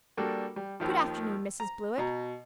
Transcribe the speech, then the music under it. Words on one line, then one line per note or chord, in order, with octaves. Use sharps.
Good afternoon, Mrs. Blewett.
G3 A#3 D4 F#4 A4
G3
D#2 D#3 F3
A#5
B2 A#5